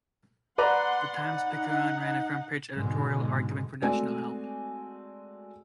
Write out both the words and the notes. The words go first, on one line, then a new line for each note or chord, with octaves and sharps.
The "Times-Picayune" ran a front page editorial arguing for national help.
B4 D5 F#5 A#5 C6
D#4 F#5
G#2 B2 D3 G#3
G#3 A3 C4 F#4 D5 G#5